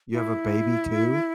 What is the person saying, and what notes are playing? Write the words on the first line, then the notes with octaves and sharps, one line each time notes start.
You have a baby too?
E4